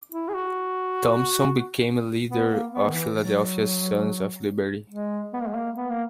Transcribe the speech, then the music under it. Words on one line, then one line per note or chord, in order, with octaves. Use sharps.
Thomson became a leader of Philadelphia's Sons of Liberty.
E4
G#4
F#4
B3
A#3
B3
D#3
E3
F#3
G#3
B3
A#3
G#3
A#3
B3
A#3